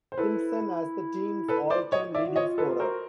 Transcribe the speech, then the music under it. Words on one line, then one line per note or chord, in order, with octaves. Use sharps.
Simpson as the team's all-time leading scorer.
C5
E4 A4 B4
A4 B4
C5 D5
C#5 D#5
F4 D5 E5
F#4
C#5 D#5
F4
A4 B4
F4
F#4 A#4 C5